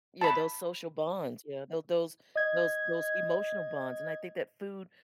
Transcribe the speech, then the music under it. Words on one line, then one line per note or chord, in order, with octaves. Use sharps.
yeah, those social bonds, yeah, tho those those those emotional bonds, and I think that food,
A5 B5
D#5 G#6